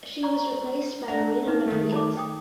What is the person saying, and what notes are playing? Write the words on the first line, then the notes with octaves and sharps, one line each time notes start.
She was replaced by Marina Rodriguez.
D5 A#5 C#6
D4 F#5 A#5
A#3 D#4 B4
D#3 A3
A5 D6
G5 D#6